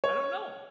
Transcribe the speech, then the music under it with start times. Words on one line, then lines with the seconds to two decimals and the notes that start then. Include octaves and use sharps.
I don't know 'em,
0.04 C#5